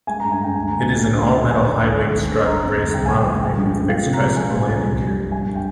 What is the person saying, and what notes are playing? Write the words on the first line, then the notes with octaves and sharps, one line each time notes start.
It is an all-metal high-wing strut braced monoplane with fixed tricycle landing gear.
G#3 G#5
G2 A#5
G#5
G2 G5
D2 G#5
D3 A#5
G#5
D2
A#1
A#1
A#1
G1 G#5
D#3
G1
G1
G1
D3
G1 A#5
F2
G1
C2 G5
A#2 G#5
G5
F3 G#5
G#3 G5
G2
G2
F3 F5
C3
A#5
G#3
F3 G#5
A#2
G#5
A#1
C2
G3
G3
G2 G#5
G5